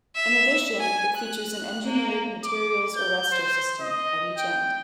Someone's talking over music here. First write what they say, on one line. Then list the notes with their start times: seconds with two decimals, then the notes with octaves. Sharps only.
In addition it features a engineered materials arrestor system at each end.
0.15 E5
0.80 G#5
1.17 F#6
1.87 A#3
2.44 D6
2.96 G6
3.31 C5
3.81 D#5
4.38 G5